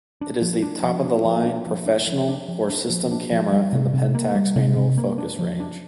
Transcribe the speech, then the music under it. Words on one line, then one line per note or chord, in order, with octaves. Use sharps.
It is the top-of-the-line "professional" or "system" camera in the Pentax manual focus range.
D4
F3
D4
F3
D4
F3
D4
F3
D4
F3
D4
F3
D4
F3
D4
F3
G3
C3
C3
A#3
G3
C3
C3
A#3
D4
F3
D4